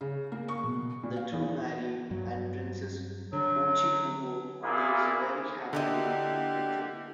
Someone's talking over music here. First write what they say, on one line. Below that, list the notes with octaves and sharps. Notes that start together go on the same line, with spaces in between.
The two marry and Princess Ochikubo lives very happily with him.
C#3
A#3
C#6
B2
A#2
F5
E2
G2 F#3
D3 F#3
A#1 A#2 A#3 E4 F4 G#4
D3 A#3 E4 G4 D#5